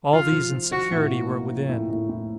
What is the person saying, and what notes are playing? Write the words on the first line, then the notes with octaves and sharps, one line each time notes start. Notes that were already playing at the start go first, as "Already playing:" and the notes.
All these and security were within.
F3 F4
F3
F3
F3 F#4
A2
A#3
A#3
F3
A2
A2
A2